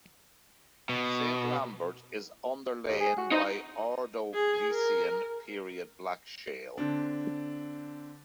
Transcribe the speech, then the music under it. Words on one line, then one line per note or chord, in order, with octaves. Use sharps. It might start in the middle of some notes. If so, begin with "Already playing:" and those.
Saint-Lambert is underlain by Ordovician period black shale.
B2
D#2
G#4
F#4
D#4 C5 D#5
G#4
A#4
D3 C4 D4